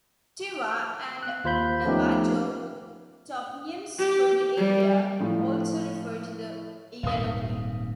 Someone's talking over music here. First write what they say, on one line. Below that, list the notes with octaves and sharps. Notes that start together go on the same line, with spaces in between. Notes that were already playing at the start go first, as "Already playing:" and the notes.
Tewa and Navajo toponyms for the area also refer to the yellow clay.
F#6
D#2 F4 C5 B5 G6
F3 A3 B3 C#4 D#4 G4
G4
G3
A2 F3 A3
D#1 G#2 C3 F5 D#6